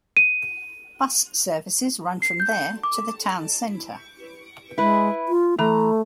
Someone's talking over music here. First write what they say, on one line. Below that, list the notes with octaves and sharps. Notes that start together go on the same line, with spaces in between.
Bus services run from there to the town centre.
D#7
C7
G6
D6
G#3 E4 B4
F4
E3 A3 A#5